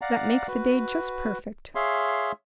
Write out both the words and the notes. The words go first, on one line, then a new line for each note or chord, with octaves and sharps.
"That makes the day just perfect."
D5 F5 F#5 A#5
F#4 B4
G#4 C#5 E5 F5 C6